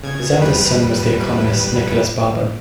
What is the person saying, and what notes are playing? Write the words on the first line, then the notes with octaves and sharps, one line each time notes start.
His eldest son was the economist Nicholas Barbon.
C#3 G#6
E2 G3 B4